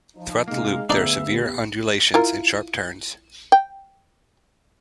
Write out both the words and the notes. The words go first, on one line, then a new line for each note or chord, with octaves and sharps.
Throughout the loop there are severe undulations and sharp turns.
F3 D#4
C3 G#3 A#3 D#4 F5
D2 B3 D4 D#4 G#4 D5 E5 F5
B3 G4
E4 F4 A#4
G5